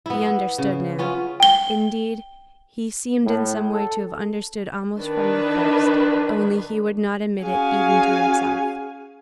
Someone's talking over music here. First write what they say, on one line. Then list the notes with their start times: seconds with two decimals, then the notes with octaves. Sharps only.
He understood now: indeed, he seemed in some way to have understood almost from the first, only he would not admit it even to himself.
0.06 B3 E4
0.58 C#3
0.98 B3 C#4 F4
1.40 G5 G7
3.24 A2
3.72 A4
4.99 D#3 D4 B4
7.43 C#4 F#4 G#4 F5 G#5